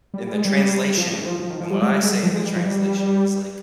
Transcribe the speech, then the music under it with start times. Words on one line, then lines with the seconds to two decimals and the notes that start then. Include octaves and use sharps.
in the translation, and what I say in the translation is, like,
0.14 G3
0.27 G3
0.34 G#3
0.45 G3
0.97 F3
1.12 C#3
1.22 D#3
1.25 F3
1.40 F3
1.50 D#3
1.61 F3
1.71 G3
1.82 G#3
1.92 G3
2.03 G#3
2.13 G3
2.23 F3
2.34 G#3
2.45 G3
2.56 F3
2.66 G3